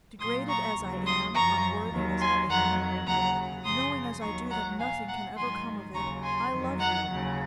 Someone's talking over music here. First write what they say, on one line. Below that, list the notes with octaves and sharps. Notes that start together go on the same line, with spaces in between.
Degraded as I am, unworthy as I am--knowing as I do that nothing can ever come of it--I love you!
A#2 F#3 C6 D#6
A#5 C#6
D#2 C#3 F#3
C6 D#6
F#2 F3 A#5 C#6
D#2 D#3 F#3
G#5 C6
F2 D#3 F#3 F#5 A#5
D#2 C#3 F#3 F#5 A#5
F#2 C#3 F3 C6 D#6
D#2 D#3 F#3 A#5 C#6
F#5 A#5
A#2 F3 F5 G#5
F#5 A#5
G#2 D#3 F#3 G#5 C6
D#2 C#3 F#3 A#5 C#6
G#5 C6
F2 D#3 F#3
F#5 A#5
D#2 C#3 F#3